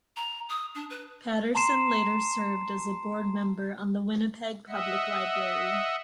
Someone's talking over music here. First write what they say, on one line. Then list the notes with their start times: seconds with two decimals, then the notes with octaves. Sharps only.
Patterson later served as a Board Member on the Winnipeg Public Library.
0.17 A#5
0.49 D#6
0.75 D4
0.90 B4
1.55 A5 A#5 C6 C7 E7
4.68 D#5 E5 F#5